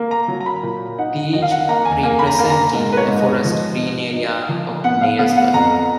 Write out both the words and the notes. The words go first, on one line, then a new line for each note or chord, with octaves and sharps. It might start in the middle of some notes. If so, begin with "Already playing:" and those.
Peach, representing the Forest Green area of Nailsworth.
Already playing: A#3
A#5
F#3
A#5
B5
A#2
D#4 F#5
D#3 D#5
F5
F#5
A#3 A#5
G#5
A#3 G#5
B5
A#5
A#3
A#5
G#2 A#5
B4
C#5
G#2
D#5
F3
D#4
D#4
F3
B3 F#5
F5
B3 F5
F#5
F2 A#5